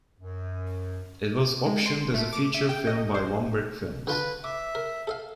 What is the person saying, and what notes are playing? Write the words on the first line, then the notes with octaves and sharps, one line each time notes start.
It was optioned as a feature film by One Brick Films.
F#2
G#3
C6
A3
D6
E5
G5
D#5
C5
D3 F4 B4 A5
E5 D6
A#4
A4 E5 F5